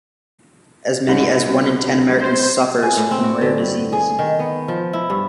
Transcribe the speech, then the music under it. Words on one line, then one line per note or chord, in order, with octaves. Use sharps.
As many as one-in-ten Americans suffers from rare disease.
C2 G#2
B2
D1
C5
G#4
A2
C4
F#4
D3
G2
G#4
D#3
B3
F3
E4
G2